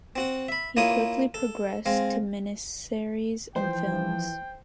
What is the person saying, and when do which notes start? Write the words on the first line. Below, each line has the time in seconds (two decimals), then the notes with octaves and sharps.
He quickly progressed to miniseries and films.
0.16 C4 F#4 F#5
0.48 E5 B5
0.77 A#3 E4 F4 C#5 D#6
1.34 A4
1.86 G#3 C4 F5
3.56 E3 F3 C5 G5